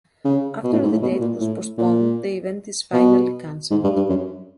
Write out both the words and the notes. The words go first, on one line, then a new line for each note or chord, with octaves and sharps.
After the date was postponed, the event is finally cancelled.
C#3
B2
A2
G#2
A2
B2
A#2
A2
A#2
B2
G#2
G2
G2
F#2